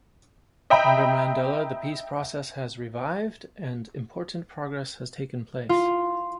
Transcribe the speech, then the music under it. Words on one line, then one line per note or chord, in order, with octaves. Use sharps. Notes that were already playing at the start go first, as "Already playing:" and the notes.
Under Mandela the peace process has revived and important progress has taken place.
D#5 E5 G5 A#5 B5
F4